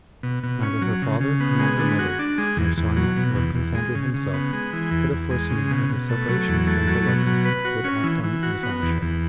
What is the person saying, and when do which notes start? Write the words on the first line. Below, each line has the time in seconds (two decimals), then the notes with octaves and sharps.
Neither her father, nor her mother, nor Sonya, nor Prince Andrew himself could have foreseen how the separation from her lover would act on Natasha.
0.23 B2
0.43 B2
0.63 C#4
0.82 F#3
1.02 C#3
1.21 C#3
1.40 B3
1.59 G#3
1.79 D3
1.99 F#4
2.19 D4
2.38 G#3
2.57 E2
2.77 E2
2.96 F#3
3.17 B2
3.36 E2
3.55 E2
3.75 G#3
3.95 C#3
4.14 C#3
4.33 B3
4.53 G#3
4.73 E3
4.91 E2
5.12 E2
5.31 G#3
5.50 C#3
5.71 B2
5.89 B2
6.09 A3
6.28 F#3
6.48 E2
6.67 A3
6.87 F#3
7.06 B2
7.26 F#3
7.45 B4
7.65 F#4
7.84 C#4
8.04 E3
8.24 E3
8.43 F#4
8.63 B3
8.82 E2
9.02 E2